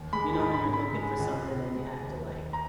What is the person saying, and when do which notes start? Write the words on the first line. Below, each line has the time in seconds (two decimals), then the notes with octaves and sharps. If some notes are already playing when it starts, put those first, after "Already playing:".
you know, when you're looking for something and you have to like
Already playing: D#2
0.13 G#3 B5
0.33 B5
0.39 G#2
0.54 B5
0.66 G#2
0.73 B5
0.93 G#3
1.19 C#2
1.47 C#2
1.74 G#3
2.00 D#2
2.27 D#2
2.53 A#5